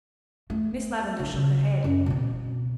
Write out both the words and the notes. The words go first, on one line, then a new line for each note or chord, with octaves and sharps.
Miss Lavendar shook her head.
A3
A#1
C#3
F#2
B2 C4